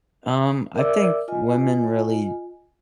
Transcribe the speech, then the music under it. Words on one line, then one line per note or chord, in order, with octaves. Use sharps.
Um, I think women really
A#4 D5 E5 D6 E6
F4 D#5 G#5